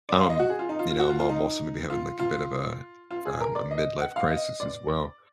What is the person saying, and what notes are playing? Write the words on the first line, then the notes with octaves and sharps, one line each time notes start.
um, you know, I'm I'm also gonna be having, like, a bit of a, um, a midlife crisis as well,
D5
F5
D#5
F#4
G#4
F4
D#4
F4
F4
F#4
F4
F4
D#4
F4
F4
F4
G#4
A#4
D5
D#5
F#5
F5
D#5
D5